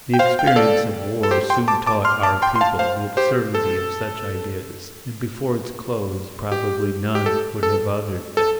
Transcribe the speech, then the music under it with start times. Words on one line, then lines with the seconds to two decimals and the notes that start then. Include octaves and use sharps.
The experience of war soon taught our people the absurdity of such ideas, and before its close probably none would have uttered them.
0.14 G5
0.19 C5 F5
0.39 G5
0.47 F5
0.56 A4 D5
1.23 A4
1.31 G4 C5
1.50 G5 C6
1.68 A5 D6
1.87 A5 D6
2.05 C6 F6
2.23 A5 D6
2.42 G5 C6
2.56 C6
2.61 F5 A5
2.79 C5 F5
3.17 G4 C5
3.55 A4
6.52 G4
7.15 G4
7.26 A4
7.63 A4
8.37 A4